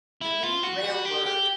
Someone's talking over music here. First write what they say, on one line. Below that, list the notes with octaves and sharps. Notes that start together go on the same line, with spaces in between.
Marie Railroad.
E4
F4
F#4
F#4
G4
G4